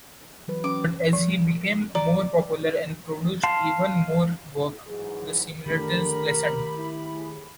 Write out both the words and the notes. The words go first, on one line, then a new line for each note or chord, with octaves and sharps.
But as he became more popular and produced even more work the similarities lessened.
E3 F#3 B4
C#4 D6
F3
D5 A#5
F5 A5 C6
G#2 E3 F#3 G#4
D3 D#3 A3 G4 A#4 B5
E4
A2 G#4